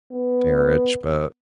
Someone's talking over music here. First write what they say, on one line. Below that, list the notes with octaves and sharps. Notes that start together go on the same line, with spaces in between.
marriage, but
B3